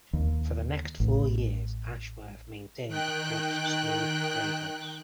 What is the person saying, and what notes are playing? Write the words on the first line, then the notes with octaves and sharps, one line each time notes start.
For the next four years Ashworth maintained the club's smooth progress.
D#2
A1
D#3 G5 F#6